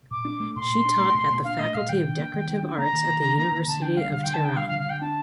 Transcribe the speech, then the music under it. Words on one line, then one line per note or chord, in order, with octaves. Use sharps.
She taught at the Faculty of Decorative Arts at the University of Tehran.
A#2 D6
D4
A3
A#2 C6
A#2
D4
A3
A#2
A#2
D4 F5
A3 D#5
A#2 F5
D#3 G5
D4
A#3
D#3
D#3
D4
A#3 A#5
D#3
D#3
D4
A#3
D#3
D3 A5
D4 G5
G3 F5
D3 F5
D3 G5
A5
D4 G5
G3 F5
F5
D3
F5
D3 G5
D4 A5